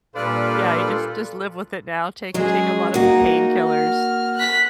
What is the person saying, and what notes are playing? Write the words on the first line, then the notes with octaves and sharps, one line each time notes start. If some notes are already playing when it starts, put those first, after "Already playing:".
Yeah, he just just live with it now, take take a lot of painkillers.
A#2 G3 D4 F4 A4 B4
F#3 G#3 C#4 G#4
A#3 D#4 F#4
F6
F#6 B6